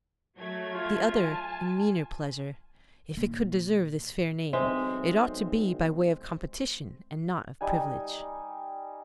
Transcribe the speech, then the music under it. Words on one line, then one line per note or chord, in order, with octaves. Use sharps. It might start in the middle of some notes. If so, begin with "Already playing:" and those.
The other and meaner pleasure, if it could deserve this fair name, it ought to be by way of competition, and not of privilege.
F#3 A3 G#6
F4
G#5 A5
A#2 D#3
B1 G#3 C4 E5
G3 D#4 G#5